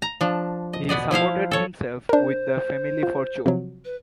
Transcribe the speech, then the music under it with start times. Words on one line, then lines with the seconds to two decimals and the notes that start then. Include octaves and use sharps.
He supported himself with the family fortune.
0.02 A#5
0.21 F3 D4
0.73 D#5
0.89 B2 B3 D5 D#5
1.11 F3 E4 C5 F5
1.51 A4 C#5
2.09 D4 A#4 C5
3.03 F4
3.46 C3 F3 F#3
3.85 B4